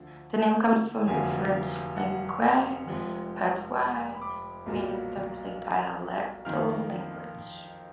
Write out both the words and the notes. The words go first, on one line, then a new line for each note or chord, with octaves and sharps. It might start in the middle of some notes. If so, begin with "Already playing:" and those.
The name comes from the French "Langue Patois", meaning simply dialectal language.
Already playing: D2 D3 F3
F1 F2 D3 F#3 A#3 G#5
F#5
F1 F2 F3 G#3
B5
D6
B1 A#2 F#3 A#3
F2 D#3 A#3 F6